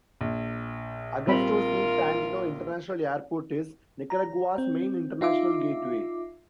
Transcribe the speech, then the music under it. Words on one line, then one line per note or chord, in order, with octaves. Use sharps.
Augusto C. Sandino International Airport is Nicaragua's main international gateway.
A#1
G3 C4 F4 A#4 B5
A#5
C4
D#4 F4 E5 D6